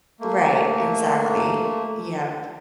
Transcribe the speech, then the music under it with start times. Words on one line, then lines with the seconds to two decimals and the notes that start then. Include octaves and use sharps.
Right, exactly, yep,
0.20 A3 A#3